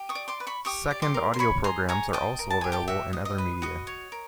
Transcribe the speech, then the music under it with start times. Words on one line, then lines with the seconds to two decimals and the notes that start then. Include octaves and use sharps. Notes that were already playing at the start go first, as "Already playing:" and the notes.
Second audio programs are also available in other media.
Already playing: G4
0.09 C#6 D#6
0.15 D5
0.28 C6 D6
0.40 B4
0.47 B5 C#6
0.65 G4 C#6 D#6
0.91 D5
1.02 C6 D6
1.14 A#4
1.34 C6
1.39 C#5 B5 C#6
1.64 G#4 A#5 C6
1.89 C#5 G#5 A#5
2.13 D#5 G5 A5
2.39 A#4
2.50 A5
2.61 G4 G#5
2.72 G5 A5
2.88 F#4 E5
3.13 D#5
3.25 D#5
3.38 B4
3.62 F#4 D#5
3.87 C#5
4.12 A#4